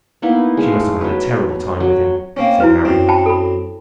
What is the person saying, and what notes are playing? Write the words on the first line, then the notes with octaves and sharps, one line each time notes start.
"She must have had a terrible time with him," said Harry.
A#3 B3 D#4 E4
G#3 A3 F5
F#3 B4
F#3
A#3 C4 C#4
F2 E4 F#4 B4
F#2 C4
G5 A5 B5
A4 B5